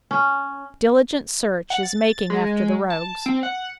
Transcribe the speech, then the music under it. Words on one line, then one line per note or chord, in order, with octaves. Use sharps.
Diligent search is making after the rogues.
C#4
F#5
A6
G#3
A5
C4
F#5